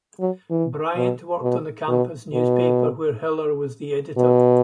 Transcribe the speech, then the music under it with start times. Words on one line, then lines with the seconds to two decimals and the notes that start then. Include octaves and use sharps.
Bryant worked on the campus newspaper, where Hiller was the editor.
0.20 F#3
0.51 E3
0.97 B2
1.42 B2
1.88 B2
2.34 B2
4.17 B2